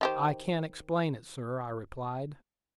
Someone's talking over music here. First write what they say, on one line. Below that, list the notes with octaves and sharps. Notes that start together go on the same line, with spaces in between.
"I can't explain it, sir," I replied.
D#3 G4 C5